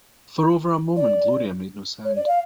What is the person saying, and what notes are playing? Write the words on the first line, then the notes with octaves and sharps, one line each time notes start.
For over a moment Gloria made no sound.
D5
C#5
D5
F5